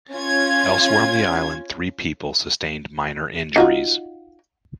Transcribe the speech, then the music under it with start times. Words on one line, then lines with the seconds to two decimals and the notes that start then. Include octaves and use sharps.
Elsewhere on the island, three people sustained minor injuries.
0.12 C#4 F4 G#6
3.56 D#4 F4 F#4